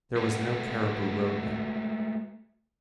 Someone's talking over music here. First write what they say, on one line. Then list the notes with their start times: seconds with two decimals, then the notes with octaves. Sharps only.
There was no Cariboo Road then.
0.16 G#3 A3 F#4 A4 B4